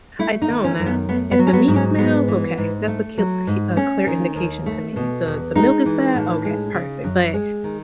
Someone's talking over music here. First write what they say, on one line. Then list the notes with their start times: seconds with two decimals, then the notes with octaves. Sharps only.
I don't now, if the meat smells? Okay, that's a c cl a clear indication to me. The the milk is bad? Okay, perfect, but
0.19 A3 E4
0.42 D#4
0.50 D#3
0.64 C#4
0.79 F#2
0.86 B3
1.09 A3 B3
1.31 B3
1.39 F#3
1.47 C#4
1.53 B3
1.68 G#2
1.76 C#4
1.98 G#3 B3
2.28 E3
2.58 G#2
2.88 A3
3.18 F#3
3.47 G#2
3.76 A3 C#4
4.07 D#3
4.36 D#2
4.66 A3
4.96 B2
5.26 E2
5.55 G#3 D#4
5.86 E3
6.15 A2
6.45 G#3
6.74 C#3
7.04 F#2
7.34 G#3
7.64 D#3